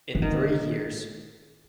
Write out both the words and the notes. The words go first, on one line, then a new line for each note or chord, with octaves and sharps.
In three years.
E3
D#3